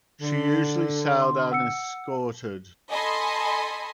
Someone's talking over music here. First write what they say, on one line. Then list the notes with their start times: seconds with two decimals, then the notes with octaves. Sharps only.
She usually sailed unescorted.
0.21 D3
1.22 C6
1.52 F#5 E6 C#7
2.89 A4 D#5 G#5 B5 C6